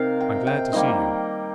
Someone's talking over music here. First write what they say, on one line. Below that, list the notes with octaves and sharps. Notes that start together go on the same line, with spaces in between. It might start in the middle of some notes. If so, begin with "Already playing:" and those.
I am glad to see you.
Already playing: C3 D#4 A#4 F5
G5
G5
D#3 G3 A#3 D#5